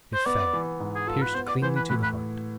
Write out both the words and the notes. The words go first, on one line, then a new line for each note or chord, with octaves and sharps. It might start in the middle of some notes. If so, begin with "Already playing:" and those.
It fell, pierced cleanly to the heart.
C5
B3 D5
E3
G#2
G#4
F4 A4
B4
B3 C5
D5
E3 C5
B4
A2 B4
B4